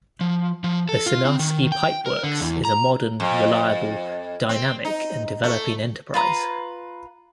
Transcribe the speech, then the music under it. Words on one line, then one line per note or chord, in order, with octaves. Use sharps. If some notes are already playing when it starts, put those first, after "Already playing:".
The Sinarsky Pipe Works is a modern, reliable, dynamic and developing enterprise.
F3
F3
A4
F4
C4
D#3
G5
A#4
D3
E2
A#5
F2
C4
D#4
A3
F4 B4 A#5